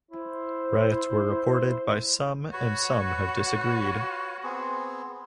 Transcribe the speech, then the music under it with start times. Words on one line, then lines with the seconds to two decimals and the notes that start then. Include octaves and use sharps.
Riots were reported by some and some have disagreed.
0.11 E4 C5
2.52 F#4 B4 C#5
4.43 B3 C4 G#4